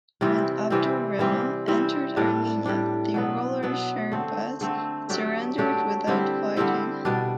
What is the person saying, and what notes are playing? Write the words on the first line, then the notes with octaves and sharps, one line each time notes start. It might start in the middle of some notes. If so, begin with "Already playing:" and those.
When 'Abdur Rehman entered Armenia, the ruler Shehrbaz surrendered without fighting.
C3 E3 G3 C4
C3 E3 G3 C4
E3 G3 C4
E3 G3 C4
A2 G3 D4
A2 G3 D4
B2 F#3 B3
B2 F#3 B3
D3 A3 C4
D3 A3 C4
F#3 A3 D4 G4
F#3 A3 D4 G4
D3 G3 C4 E4
D3 G3 C4 E4
B2 G3 D4